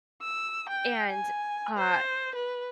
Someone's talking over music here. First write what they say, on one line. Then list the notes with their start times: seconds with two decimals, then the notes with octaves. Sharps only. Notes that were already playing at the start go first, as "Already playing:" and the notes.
And, uh,
0.22 E6
0.70 G5
1.10 G#5
1.77 C5
2.35 B4